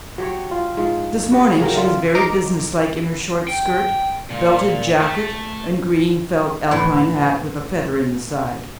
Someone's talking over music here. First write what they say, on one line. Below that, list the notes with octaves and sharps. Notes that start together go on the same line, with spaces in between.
This morning she was very business-like in her short skirt, belted jacket, and green felt Alpine hat with a feather in the side.
F#3 G4 C#5
F4
G#2 F3
F#4 G4
C#3 F#3 A#4 G5
F4 A4 D5 E5
D#4 A#4 A#5 D6
G5
A#2
A3
A2 E3 A3